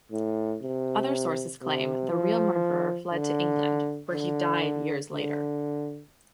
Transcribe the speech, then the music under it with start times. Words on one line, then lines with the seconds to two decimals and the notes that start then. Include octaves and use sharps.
Other sources claim the real murderer fled to England where he died years later.
0.12 A2
0.62 C3
1.62 C3
2.12 F3
3.13 D3
4.12 D3
5.13 D3